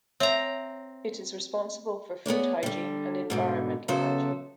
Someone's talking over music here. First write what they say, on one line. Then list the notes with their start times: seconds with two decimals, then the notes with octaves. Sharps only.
It is responsible for food hygiene and environmental hygiene.
0.20 C4 C#5 E5 F#5 A#5
2.26 B3 G#4 C#5 D5
2.63 D3 G3
3.30 G#2 B2 D3
3.88 F#2 C#3 F#3 B3 A4 C5